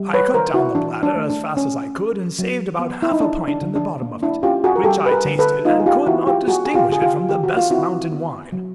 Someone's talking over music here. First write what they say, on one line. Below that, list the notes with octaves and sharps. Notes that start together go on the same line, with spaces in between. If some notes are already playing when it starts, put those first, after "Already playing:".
I cut down the bladder as fast as I could, and saved about half a pint in the bottom of it, which I tasted, and could not distinguish it from the best mountain wine.
Already playing: G3
B4 C#5
D#3 A#4 C5
E4 F#4
E3 D4
D4
A3
D4
C#4
C#4
F#3
B3
E4
D#4
C#4 D4
D4
D3
D4
A#3
D4 E4
C#4 F4 G4
F#4 G#4
A#4
G3 G4 A4
B4
G#4 A#4
D3
A4 B4
A#3 D#4 F4
G#4
F4 G4
E3 E4 F#4
F4 G4
B3 F#4 G#4
G#4
F4 G4
D3 G#4
F4 G4
D#3 G4
F#4
F4
C4 E4 F#4
B3
F#3